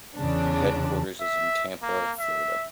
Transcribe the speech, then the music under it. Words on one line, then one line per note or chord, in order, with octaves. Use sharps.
The headquarters is in Tampa, Florida.
E2 C#3 D4
E5
A#3
E5